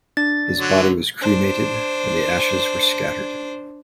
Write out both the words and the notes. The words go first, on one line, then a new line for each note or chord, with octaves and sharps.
His body was cremated and the ashes were scattered.
D4 A6
D3 F#3
D4 C5